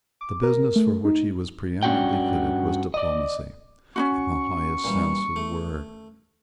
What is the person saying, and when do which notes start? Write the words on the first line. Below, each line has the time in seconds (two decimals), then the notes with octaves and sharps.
The business for which he was preeminently fitted was diplomacy, in the highest sense of the word.
0.21 D6
0.43 A#4
0.76 A3
1.05 D#4
1.83 G2 C#4 D4 F#4 G5
2.94 D5 D#5
3.96 C#4 D#4 F#4 C#6
4.84 A#2 E3 G3
5.36 A3